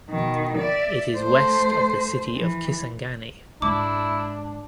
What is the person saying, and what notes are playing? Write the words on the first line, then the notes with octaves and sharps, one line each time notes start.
It is west of the city of Kisangani.
B2 D#3
D5 E5
A3 C5
E3
G#2 G#3 D4 E4 D6